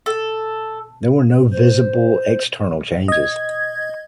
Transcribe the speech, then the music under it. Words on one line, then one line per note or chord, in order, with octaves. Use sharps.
There were no visible external changes.
A4
C5
D#5 G#6